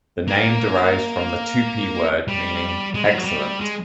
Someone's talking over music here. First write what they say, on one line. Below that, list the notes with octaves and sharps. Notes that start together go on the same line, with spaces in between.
The name derives from the Tupi word meaning "excellent".
A#3
G3
G#3
G3
F#3
G3
G#3